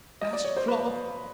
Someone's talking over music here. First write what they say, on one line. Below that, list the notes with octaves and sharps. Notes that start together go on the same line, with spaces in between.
Bast cloth.
D#5
D5
C#5
C5
B4